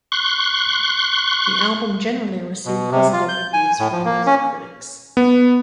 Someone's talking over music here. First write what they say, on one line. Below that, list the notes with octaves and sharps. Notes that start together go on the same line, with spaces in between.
The album generally received positive reviews from music critics.
C6 C#6 F#6
B2
C3
F4
G6
G#5
A2
F3
A#3
C#4
B3